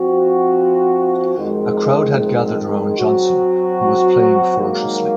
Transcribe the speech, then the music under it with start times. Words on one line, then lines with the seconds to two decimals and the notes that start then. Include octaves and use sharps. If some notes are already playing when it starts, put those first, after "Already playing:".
A crowd had gathered around Johnson, who was playing ferociously.
Already playing: F3 C4 F#4
1.36 F2 D#3 G#3
2.96 F#3 C4 F#4
4.57 G#2 D#3 F#3 A#3